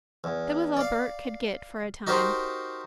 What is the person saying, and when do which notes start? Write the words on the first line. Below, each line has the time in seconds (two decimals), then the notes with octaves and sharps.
That was all Bert could get for a time.
0.24 E2
0.77 D5 F5
2.07 D#4 F#4 G4 A#4 C5